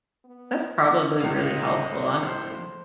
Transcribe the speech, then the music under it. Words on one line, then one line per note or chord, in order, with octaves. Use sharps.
That's probably really helpful, honestly.
B3
C#2 A2 D3 D#5 F5
A3 C5